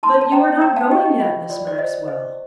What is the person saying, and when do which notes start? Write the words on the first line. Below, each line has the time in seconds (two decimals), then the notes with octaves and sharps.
But you are not going yet, Miss Maxwell?
0.03 D#4 A5 C6
0.21 A5
0.32 C5 G5 A#5
0.61 D#4 G5 A#5
0.76 F5 A5
0.91 G4 D#5 G5
1.06 D#5
1.20 F4 D#5
1.49 F4 D5
1.67 D5
1.78 C5 D#5
2.07 C5 D#5